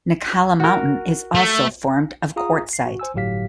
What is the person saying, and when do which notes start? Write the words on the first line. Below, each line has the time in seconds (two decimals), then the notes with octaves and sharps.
Knockalla Mountain is also formed of Quartzite.
0.60 F#4 A#4
1.35 A3
2.36 F4 G#4 F5 A#5 D#6
2.73 C7
2.86 F#4
2.99 C5 G#5 E6
3.14 G1 A2 F#3 G4 F5 B6